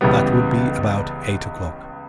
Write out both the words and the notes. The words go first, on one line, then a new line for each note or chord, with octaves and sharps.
That would be about eight o'clock.
C#2 C#3 E3 G3 B3